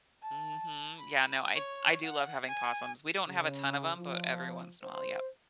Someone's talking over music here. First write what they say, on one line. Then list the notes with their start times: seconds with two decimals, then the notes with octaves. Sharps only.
Mhm. Yeah, no, I I do love having possums. We don't have a ton of them, but every once in a while, yep.
0.22 A5
0.99 B5
1.54 C#5
2.02 F#5
2.48 G#5
3.28 C#3
3.97 F3
4.83 C5